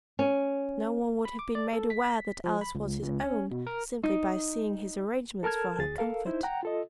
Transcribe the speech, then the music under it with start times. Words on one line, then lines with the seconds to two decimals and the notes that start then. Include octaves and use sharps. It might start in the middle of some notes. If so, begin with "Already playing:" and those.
No one would have been made aware that Alice was his own simply by seeing his arrangements for her comfort.
0.19 C#4
1.25 B5
1.39 D6
1.55 D5
1.73 A4
1.90 B6
2.44 F3
2.61 B5
2.75 C#2
3.02 C#2
3.24 C#4
3.51 B2
3.67 A#4
4.03 D#4
5.43 A4 A#4 A5 F6 G#6
5.79 D2 G#4 A6
5.98 A4 A#4 F5
6.26 D#4 E4 C5
6.43 F#5 G5 A#5
6.63 F4 A4 D#5